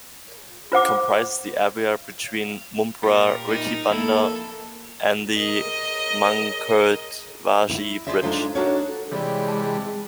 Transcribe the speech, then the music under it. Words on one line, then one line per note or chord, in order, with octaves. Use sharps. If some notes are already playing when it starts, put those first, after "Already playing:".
It comprises the area between Mumbra Retibunder and the Mankhurd-Vashi Bridge.
F4 C5 F#5 D6
A#2 G3 A#4
D#4 A#4
F2 A#3 E4 A4
G#4 A#4 D#5
E4
F4 G4 G#4 C5 D5 E5
G#3 D4 D#4 F4 A4 C5
D4 D#4 F#4 A4 A#4 C#5
C3 E3 G3 G#3 C#5 D5
A5